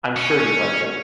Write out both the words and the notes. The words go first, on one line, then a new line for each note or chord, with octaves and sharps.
I’m sure you like it.
C#4